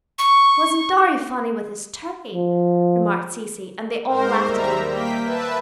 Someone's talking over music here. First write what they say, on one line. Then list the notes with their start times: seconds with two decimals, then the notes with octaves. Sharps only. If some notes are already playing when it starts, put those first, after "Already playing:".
"Wasn't Dorry funny with his turkey?" remarked Cecy; and they all laughed again.
0.18 C#6
2.34 F3
4.08 G#2 A#4 C5
4.44 D#2 G3 E5 A#5
4.87 A#3 G5 B6
5.24 B4 E5 A5